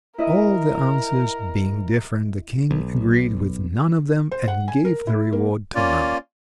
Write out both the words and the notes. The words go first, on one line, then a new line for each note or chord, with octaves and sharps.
All the answers being different, the King agreed with none of them, and gave the reward to none.
E4 A#4 D#5 E5
B1
C5
F#5
G#5
A#4
E4
A#3
A#3 C#4 F4 D5